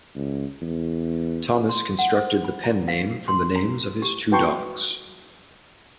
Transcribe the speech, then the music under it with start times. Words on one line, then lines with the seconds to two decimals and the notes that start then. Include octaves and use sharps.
Thomas constructed the pen name from the names of his two dogs.
0.15 C#2
0.61 E2
1.69 C6
1.99 F#5
2.14 C5
2.45 B5
2.64 A#5
2.88 F5
3.28 C6
3.56 A#5
4.02 G4
4.32 F#4 B4 G5 A5 C6 C#6